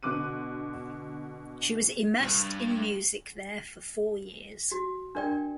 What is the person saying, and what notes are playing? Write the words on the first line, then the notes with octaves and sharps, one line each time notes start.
She was immersed in music there for four years.
B2 D3 D6 F#6 D#7
C2 G2
F#4
D4 A#4 D5 G5